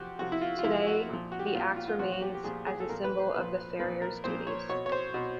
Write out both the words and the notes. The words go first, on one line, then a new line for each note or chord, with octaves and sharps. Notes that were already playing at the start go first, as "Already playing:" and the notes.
Today, the axe remains as a symbol of the Farrier's duties.
Already playing: C3 F3 F#4 G4
C3 F3 F#4
E4
F4
F4
C3 F3 E4
F#4
A#2 F3
F#4
G4
F#4
A#2 F3 F4
F4
F4
A#2 F3 F#4
F#4
G4
G4
A#2 F3 G#4
G#4
A4
A#2 F3 A#4
B4
C5
A#2 F3 B4
A#2 F3 B4
A#4
A#2 F3 C5
C#5
B2 C#5
C#5
C5
B2